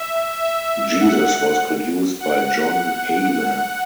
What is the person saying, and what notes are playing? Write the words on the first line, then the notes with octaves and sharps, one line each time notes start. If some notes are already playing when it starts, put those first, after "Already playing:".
"Jesus" was produced by John Heyman.
Already playing: E5
E5
F#5
F#5